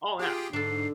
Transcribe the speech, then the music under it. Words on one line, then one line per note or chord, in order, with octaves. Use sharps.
Oh yeah.
F4 G4 G#4 G5
G#2 D3 D4 A4 C7